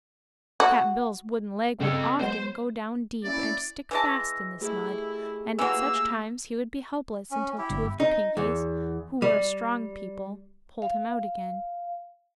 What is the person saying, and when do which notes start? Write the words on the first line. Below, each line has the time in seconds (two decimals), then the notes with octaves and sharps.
Cap'n Bill's wooden leg would often go down deep and stick fast in this mud, and at such times he would be helpless until two of the Pinkies--who were a strong people--pulled him out again.
0.60 F#4
1.80 G2 C#3 G3 C4 A4
2.20 F#3 G#3 B3 C5 C6
3.24 A#3 C#4 E4 D5
3.91 E3 G#3 A5 E6 A#6
4.61 A3 E4 G4 G#4
5.59 E3 F#3 A#3 E6
7.31 C#4
7.58 E4 G4
7.70 G1
8.00 D#4
8.37 E2
9.22 G3
10.82 F5